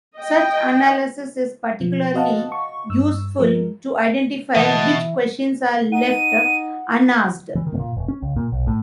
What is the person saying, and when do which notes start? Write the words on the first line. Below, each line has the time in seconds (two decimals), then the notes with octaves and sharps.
Such analysis is particularly useful to identify which questions are left unasked.
0.18 D#5 G5
1.80 B2 F3
2.14 F#4 B4 D#5 F5 F#5 A5
2.52 C#6
2.89 G2 E6
3.39 F3 G#3 A#4
4.56 B2 E3 B4 D#5 F#5 A5
5.92 D#4 F#5 D#7
7.55 E3
7.67 D#3
7.79 A#2
7.97 E1
8.08 C#4
8.22 C#2
8.36 A#2
8.52 B1
8.67 A2